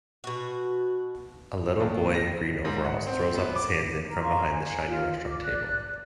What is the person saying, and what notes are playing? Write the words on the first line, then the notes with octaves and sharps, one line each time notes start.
A little boy in green overalls throws up his hands in from behind the shiny restaurant table.
B2 F#4
D#2
A#6
G#2
F#5
C4
B3
D6
A#4
F5 A#5 C6 C#6
G#5
F4
D6
D5 F#6